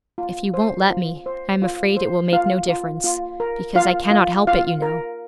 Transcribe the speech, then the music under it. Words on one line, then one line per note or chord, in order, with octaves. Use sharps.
'If you won't let me, I am afraid it will make no difference, because I cannot help it, you know.
F4
C5
F4
C5
F4
C5
F4 F5
F4
F4
A#4
F4 F5
F4
F4 F5
A#4